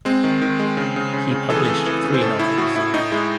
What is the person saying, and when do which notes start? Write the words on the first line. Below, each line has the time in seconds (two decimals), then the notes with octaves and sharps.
He published three novels.
0.05 G#3 C4
0.24 D#3
0.42 D#3
0.59 G#3
0.77 C#3
0.96 C#3
1.14 C#3
1.31 C#3
1.50 E3 A4
1.57 G#4
1.65 A3 A4
1.86 E3
2.04 C#3
2.14 C5
2.21 A2 A4
2.39 A2 E4
2.58 A2 F#4
2.76 A2 E4
2.94 A2 D#4
3.12 G#3 E4